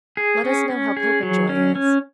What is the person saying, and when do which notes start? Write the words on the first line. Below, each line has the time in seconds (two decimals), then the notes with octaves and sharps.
"Let us know how Popenjoy is."
0.17 G#4
0.44 C#4
0.69 C#4
0.97 G#4
1.23 F#3
1.49 C#4
1.75 C#4